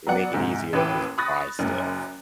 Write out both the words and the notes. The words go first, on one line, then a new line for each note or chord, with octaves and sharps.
they make it easier to just buy stuff.
F#3 B3 D5 F#5
D2 G#2 C3
A1 D#2 E3 B4 G5 D6
B5 C#6 D#6 F#6 A6 A#6
F#1 F#2